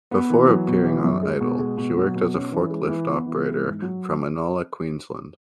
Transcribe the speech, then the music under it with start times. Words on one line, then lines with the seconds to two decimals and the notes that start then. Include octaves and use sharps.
Before appearing on "Idol", she worked as a forklift operator from Inala, Queensland.
0.11 B3
0.30 E3
0.49 F#3
0.67 B2
0.85 E3
1.04 F#2
1.23 G#3
1.40 B2
1.59 G#3
1.78 B2
1.97 F#3
2.15 B2
2.34 C#4
2.52 E3
2.70 G#3
2.89 E3
3.08 B3
3.26 E3
3.44 G#3
3.63 G#2
3.82 F#3